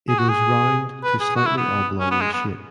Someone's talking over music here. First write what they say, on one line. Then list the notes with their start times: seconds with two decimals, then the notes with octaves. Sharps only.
It is round to slightly oblong in shape.
0.08 G#4
0.18 F#4
0.29 G#4
1.04 B4
1.20 G#4
1.36 F#4
1.46 E4
1.57 B3
2.00 C#4
2.11 B3
2.21 G#3
2.32 B3